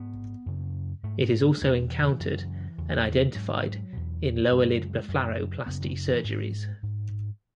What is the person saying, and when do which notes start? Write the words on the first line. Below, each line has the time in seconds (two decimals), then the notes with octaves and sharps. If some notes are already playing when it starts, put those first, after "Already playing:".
It is also encountered and identified in lower lid blepharoplasty surgeries.
Already playing: G#2 B3
0.46 F#2 C#3
1.03 G#2 A3
1.22 B3
1.43 B3
1.57 G#3
1.61 E2 B2 A3
1.75 G#3
1.90 E3
2.05 E3
2.20 F#2 C#3
2.78 E2 C#3
3.35 G#2 F#3
3.93 E2 B2
4.51 F#2 C#3 G#3
5.08 F#2 C#3
5.66 F#2 C#3 B3
5.81 D#3
6.11 E3
6.24 G#2
6.83 G#2